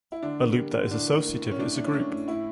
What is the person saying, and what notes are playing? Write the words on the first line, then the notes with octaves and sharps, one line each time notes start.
A loop that is associative is a group.
E4
D3 D4
A#3
G3
D3
A2 D4
A#3
E3
A2
C#4
A2 D4
A3 D4
C#4
E3 D4
A2
A2 E4